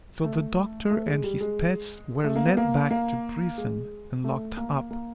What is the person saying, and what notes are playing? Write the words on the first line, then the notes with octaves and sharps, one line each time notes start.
So the Doctor and his pets were led back to prison and locked up.
A3
A3
G#3
G3
G#3
A3
A#3
B3
A#3
A#3
G#3
A3
A#3
A#3